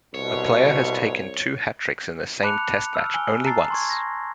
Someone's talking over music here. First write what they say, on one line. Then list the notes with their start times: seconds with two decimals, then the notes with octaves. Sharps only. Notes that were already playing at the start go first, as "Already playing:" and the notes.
A player has taken two hat-tricks in the same Test match only once.
0.14 C2 B2 C#5
2.43 A5 B5 D6 F#6 C#7 F7
2.95 E6 F6
3.14 G#5 E6 G7
3.45 A5 A#5 E6 A6 C7
3.70 C6 C#6 G#6
3.90 A#6